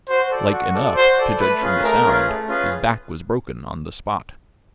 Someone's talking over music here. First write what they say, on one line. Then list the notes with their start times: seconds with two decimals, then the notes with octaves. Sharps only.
Like enough, to judge from the sound, his back was broken on the spot.
0.09 F#4 C5
0.31 A4 D5
0.52 F#4
0.74 A4 D5
0.96 F#4 C5
1.18 A4 D5
1.40 A3 B4
1.61 C#4 F4 G#4 B4
1.83 A3 A#4
2.05 C#4 F4 G#4 B4
2.27 A3
2.48 C#4 F4 G#4 B4